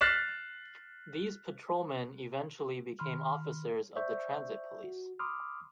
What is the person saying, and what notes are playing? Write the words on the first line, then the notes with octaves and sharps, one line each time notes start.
These patrolmen eventually became officers of the Transit Police.
F6 F#6 A6 B6 C7 E7
D#3 B5 C6 F6
C5 D5 E5 C#6 G6
F#4
B5 C6 D6 D#6 F6